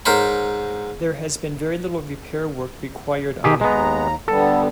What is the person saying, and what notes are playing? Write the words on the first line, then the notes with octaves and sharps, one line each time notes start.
There has been very little repair work required on it.
G#2 A#4 C5 C#5 B5
D#3 G4 G#4
D#2 G#3 B3 A#5
D3 G3 B3 A4